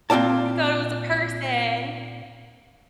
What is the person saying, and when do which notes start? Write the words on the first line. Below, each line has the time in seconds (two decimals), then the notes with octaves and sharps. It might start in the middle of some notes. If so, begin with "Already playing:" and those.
he thought it was a person.
0.10 A#2 C4 F4 D5 A5